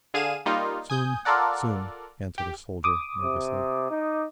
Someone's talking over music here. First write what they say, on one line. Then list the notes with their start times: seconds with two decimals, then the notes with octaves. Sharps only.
"Soon, soon," answered a soldier, nervously.
0.14 D3 G#4 F5 D#7 E7
0.46 G3 A#3 D#4 F4
0.90 G#5 D#6 G6
1.25 F4 A4 A#4 D5 F#5
2.38 G4
2.84 D6 D#6
3.22 C3
3.91 D#4